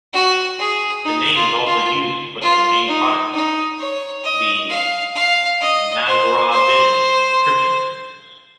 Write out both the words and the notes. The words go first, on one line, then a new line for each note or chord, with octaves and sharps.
The name is also used for their main products, the Nagravision encryption systems.
F#4
G#4
D#4
F4
F4
F4
D#4
D#4
C#5
D#5
F5
F5
D#5
C5
C5